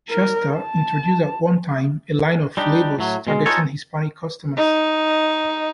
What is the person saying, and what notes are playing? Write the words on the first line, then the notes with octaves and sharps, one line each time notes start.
Shasta introduced at one time a line of flavors targeting Hispanic customers.
A#4
A5
G3 D4 D#4 G4
A2 F#3
B2 G#3
C#4 D#4 F4 F#4 A4 C#5
D#4